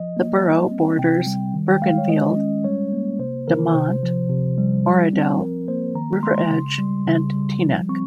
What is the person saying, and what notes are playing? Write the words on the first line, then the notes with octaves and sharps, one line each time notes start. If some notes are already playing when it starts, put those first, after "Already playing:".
The borough borders Bergenfield, Dumont, Oradell, River Edge and Teaneck.
Already playing: F3 D#5
A#3
G3
C4
C3 G5
G3
D#3
G5
G#3 F5
C#5
G#3 D#5
C#4
G3 C#5
A#3
C3 C5
D#3 A#4
C3 C5
F3
C3
G3
G3
C4
F3 A#4
A#3 C5
D#3 A#5
G#3 C6
C#3
G3
C#3
G3
F3
C4 C#6